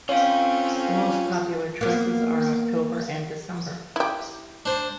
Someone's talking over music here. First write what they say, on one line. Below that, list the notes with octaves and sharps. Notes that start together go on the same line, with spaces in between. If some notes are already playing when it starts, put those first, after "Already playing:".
The most popular choices are October and December.
C4 C#4 F4 C#5 F5 G5
A#3 B3
E4 G4
D4 C5